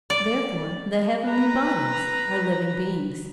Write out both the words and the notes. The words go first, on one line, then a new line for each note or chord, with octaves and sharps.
Therefore the heavenly bodies are living beings.
D5
B4 A#5